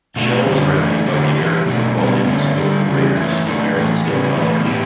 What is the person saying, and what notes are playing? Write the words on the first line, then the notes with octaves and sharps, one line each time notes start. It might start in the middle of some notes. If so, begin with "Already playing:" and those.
Shell was drafted by the American Football League's Oakland Raiders from Maryland State College.
B2 A3 D4 F#4
F#2 D3 G3 C#4
E3 A3 D4
D3 F#3 A3 D4 G4
E3 A3 E4 G4
B2 F#3 A3 D4 F#4
B2 G3 B3 D4
G2 D3 A3 C#4
D3 G3 D4 A4
E2 C#3 G3
F#2 E3 A3 C#4 E4
F#3 A3 D4 A4
A2 E3 A3
C#3 E3 G3 B3
A2 E3 B3
A2 F#3 B3 E4 G4